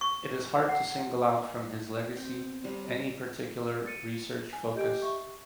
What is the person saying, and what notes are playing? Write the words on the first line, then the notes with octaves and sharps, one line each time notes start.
It is hard to single out from his legacy any particular research focus.
C#6
F#5
C4 G5
B3
C3 G3
C#5
A6 C#7 D#7
G#5
G4 D#5 G6 D7
E5 C#6